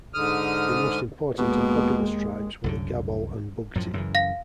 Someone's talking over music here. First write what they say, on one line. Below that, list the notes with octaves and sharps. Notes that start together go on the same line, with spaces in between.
The most important and populous tribes were the Gabol and Bugti.
G#2 D3 D#6 F6
D#2 B2 G#3 A#3
C2 F#2 D3
F#2 A2 F3
F#2 C#3 E3
F5 A#6